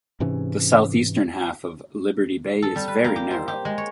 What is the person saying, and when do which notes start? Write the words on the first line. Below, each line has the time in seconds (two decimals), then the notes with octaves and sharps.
The southeastern half of Liberty Bay is very narrow.
0.20 G#2 C3 E3 C#4
2.62 A4
2.76 G3
2.88 B4
3.04 A#3
3.16 G4
3.31 C5
3.48 G4
3.65 G#3
3.78 C#5